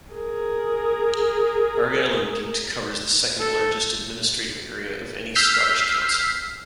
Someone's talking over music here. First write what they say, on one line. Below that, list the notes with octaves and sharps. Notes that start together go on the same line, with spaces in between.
Argyll and Bute covers the second largest administrative area of any Scottish council.
G#4 A#4
A4
E6 F6 G6 B6 C7